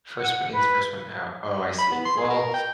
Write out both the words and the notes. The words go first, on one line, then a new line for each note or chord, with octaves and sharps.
First one in is first one out. Oh, I see. Well
F#5
B4
B5
B3
C6
G#4
A#4
G5